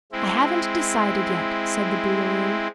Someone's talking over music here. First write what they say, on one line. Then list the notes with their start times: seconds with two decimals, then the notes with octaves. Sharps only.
"I haven't decided yet," said the Boolooroo.
0.12 G#3 C4 E4